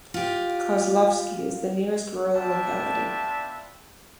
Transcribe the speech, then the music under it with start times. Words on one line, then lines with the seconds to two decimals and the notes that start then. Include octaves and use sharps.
Kozlovsky is the nearest rural locality.
0.14 F4 G4
2.35 B3 D4 F4 E5 G5 A5